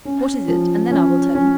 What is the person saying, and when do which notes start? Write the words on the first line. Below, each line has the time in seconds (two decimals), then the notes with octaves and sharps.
"What is it, and then I will tell you?"
0.05 C#4
0.48 F3
0.91 C#4
1.35 C#4